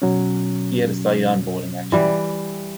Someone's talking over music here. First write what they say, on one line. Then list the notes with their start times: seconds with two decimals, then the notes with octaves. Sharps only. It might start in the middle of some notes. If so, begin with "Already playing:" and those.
He had a side-on bowling action.
0.02 B2 F#3 C#4
1.92 E3 G3